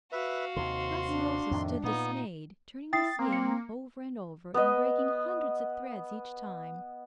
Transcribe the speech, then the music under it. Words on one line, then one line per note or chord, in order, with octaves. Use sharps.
Graciosa stood dismayed, turning the skein over and over, and breaking hundreds of threads each time.
F#4 B4 E5 F5
D#2 C3 C6
D4
F2 A2 D#3
A#2 B3 D#4
E4 G5 D#6 A6 C7
A#3 C4
C#7
B3 D#5